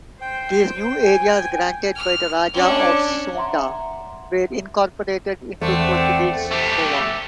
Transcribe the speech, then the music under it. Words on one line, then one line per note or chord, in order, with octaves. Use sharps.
These new areas granted by the Raja of Soonda were incorporated into Portuguese Goa.
C5 G5
G#5
F6
C#4 D4
E5 F#5 A#5 C6
E2 A3 C4 C5 D5 F#5
A3 G4